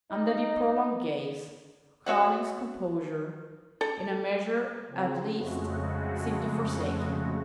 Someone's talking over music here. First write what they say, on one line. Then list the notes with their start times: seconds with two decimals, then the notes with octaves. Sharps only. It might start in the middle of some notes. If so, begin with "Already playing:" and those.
Under the prolonged gaze, Carling's composure, in a measure at least, seemed to forsake him.
0.11 D#4
2.06 F#4 C#5 E5 F#5
3.81 A4
4.87 C#3 F3 C4
5.35 F2 C#3 G#3 A3 F#4